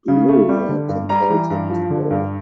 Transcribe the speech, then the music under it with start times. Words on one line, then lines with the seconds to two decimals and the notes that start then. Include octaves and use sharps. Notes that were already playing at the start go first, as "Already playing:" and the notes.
Gloria compelled him to go.
0.08 C#3
0.28 A3
0.49 G3
0.69 D3
0.89 G2
1.09 G3 A#5
1.30 E3
1.50 G2
1.70 F3
1.90 D3
2.10 G2